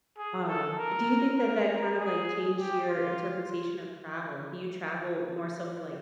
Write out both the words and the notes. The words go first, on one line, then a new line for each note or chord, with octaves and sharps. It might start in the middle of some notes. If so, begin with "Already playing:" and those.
Um, do you think that that kind of like changed your interpretation of travel? Do you travel more so for like-
G#4
A4
A#4
A#4
G#4
G4
F4